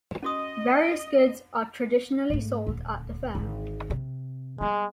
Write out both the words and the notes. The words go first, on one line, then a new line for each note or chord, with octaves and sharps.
Various goods are traditionally sold at the fair.
C#4 F#4 D#5 D#6
G#2 A3
D#1 D2
G#1 D3
C3
G3 G#3 B3